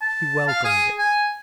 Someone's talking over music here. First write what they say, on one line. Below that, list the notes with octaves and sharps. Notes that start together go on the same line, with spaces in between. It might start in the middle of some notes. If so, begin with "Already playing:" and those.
He welcomed it.
A5
F5
G#4
G#5